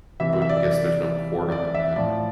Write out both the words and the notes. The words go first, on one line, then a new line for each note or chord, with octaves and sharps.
I would guess there's no cord on it then,
C3 E3 E5
E5
D5
E5
D5
D5
D5
E5
A2 F3 D5